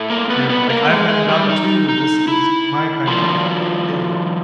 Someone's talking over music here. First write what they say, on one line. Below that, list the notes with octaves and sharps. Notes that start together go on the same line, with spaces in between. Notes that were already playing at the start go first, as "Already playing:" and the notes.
Yeah, like, "I've got a dog too. This is w my kinda dog and what they like."
Already playing: A2 A3
A#3 A#4
B3 B4
B3 B4
A#3 A#4
G#3 G#4
G#3 G#4
G3 G4
D#4
D#4
E4
D#3 F3 F#3 A#3 D4 F4